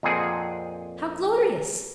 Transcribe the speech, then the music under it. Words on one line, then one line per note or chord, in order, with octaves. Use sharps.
How glorious!
F2 A#2 C4 G#4 F#5